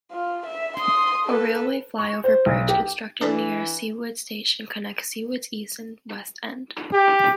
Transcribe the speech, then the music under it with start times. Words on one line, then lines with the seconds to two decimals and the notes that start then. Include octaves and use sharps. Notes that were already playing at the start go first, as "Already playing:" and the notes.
A railway flyover bridge constructed near Seawoods station connects Seawoods East and West end.
0.12 F4
0.46 E5
0.77 C6 D#6
1.25 A4 B4
1.99 C#6
2.24 C5
2.46 B1
2.69 G4
3.21 E3 D4 A4 B4
6.93 G4